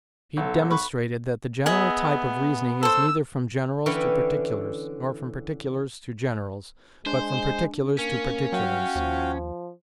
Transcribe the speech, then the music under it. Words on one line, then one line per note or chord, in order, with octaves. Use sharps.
He demonstrated that the general type of reasoning is neither from generals to particulars, nor from particulars to generals, but from particulars to particulars.
B1 A4
B4 B5 C#6
B3 G#4 D#5 E5
A4 C5 E6
D3 E3 C#4 C#5 G5 B5
G#3 D4 C5
A#3 C#4
F#3 F#4 F5 G5
D#2 F3